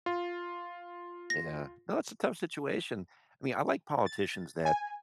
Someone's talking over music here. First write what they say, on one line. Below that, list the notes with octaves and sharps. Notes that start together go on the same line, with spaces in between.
Yeah. No, it's a tough situation, I mean, I like politicians that
F4
A#6
A6
G#5